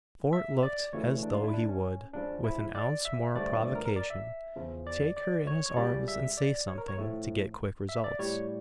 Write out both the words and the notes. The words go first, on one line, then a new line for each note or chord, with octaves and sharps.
Fort looked as though he would, with an ounce more provocation, take her in his arms and say something to get quick results.
E5
D5
D2 C#3 E3 A3 C#5
D4
F4
E4
D4
C#4
C#2 C#3 F3 D4
E4
D5
E5
G2 D3 F3 A3 D5
D5
A#4
A#4
D5
E5
E2 C#3 F3
D5
D5
C#5
C#5
C#2 C#3 G3 D5
E5
D5
C#5
A#4
C#5
A2 F3 A3
E5
D5
A2 G3 C#5